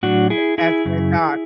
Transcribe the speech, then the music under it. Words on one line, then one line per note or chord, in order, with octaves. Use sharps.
Th that's what I thought.
A2 F#3 D4 F#4
E4 G#4
E4 G#4
F#2 C#3